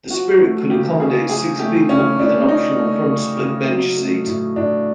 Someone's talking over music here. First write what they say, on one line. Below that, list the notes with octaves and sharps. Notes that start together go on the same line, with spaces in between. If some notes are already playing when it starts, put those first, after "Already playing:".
The Spirit could accommodate six people with an optional front split-bench seat.
F3 F#4
A3
C#3 G4
C#3 G#4
F3 G#4
A3 G4
C#3 C#4
C#3 D4
F3 D#4
A3
C#3
C#3
F#3
A3
A2
A2 D4